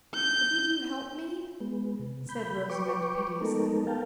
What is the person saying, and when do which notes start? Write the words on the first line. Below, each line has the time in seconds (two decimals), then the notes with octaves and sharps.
"Couldn't you help me?" said Rosamond piteously.
0.14 G6
1.60 G#3 B3
1.99 C3
2.29 B5 G6
2.70 B4 G5 C#6 D6
3.41 G#3 A3 B3 D#4 A4 A#4
3.87 B3 A#4 F5 G5 A5